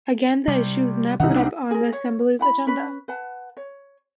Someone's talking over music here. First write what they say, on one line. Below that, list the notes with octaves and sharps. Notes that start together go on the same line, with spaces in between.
Again the issue was not put on the Assembly's agenda.
C3 G3
C2 D#3 D#4 F#5
C4 D4
G#4 A#4
C#5
E4 F#5 B5
C#4 B4 B5
B4 F#5 A5
C#5